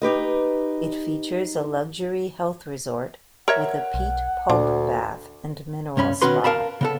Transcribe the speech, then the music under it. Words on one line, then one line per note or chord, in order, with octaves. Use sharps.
It features a luxury health resort with a peat pulp bath and mineral spa.
D#4 G4 B4 D#5
A#4 C#5 E5 F#5
B1
D2 A#2 D4
C#2 G2 C#4 B5
B2 D#3 C#4 F#4 B4 C6
A#4 F5 A5 B5
C#3 B3 A4